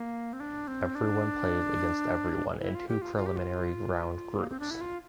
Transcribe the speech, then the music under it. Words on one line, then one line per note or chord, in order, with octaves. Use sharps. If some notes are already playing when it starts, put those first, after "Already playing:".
"Everyone plays against everyone" in two preliminary round groups.
Already playing: A#3
C4
D4
C4
D4
E4
F4
G4
F4
F4
G4
F4
A#3
C4
D4
E4
F4